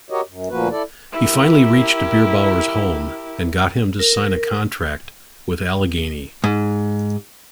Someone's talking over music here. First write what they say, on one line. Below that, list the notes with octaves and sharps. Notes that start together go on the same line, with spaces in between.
He finally reached Bierbauer's home and got him to sign a contract with Allegheny.
F#4 G4 A#4 C#5 D#5
F#2
D2 A#2 F3 A#3 F#4 B4
E4 A4 D5
E4 G4 A#4
A#4
G#2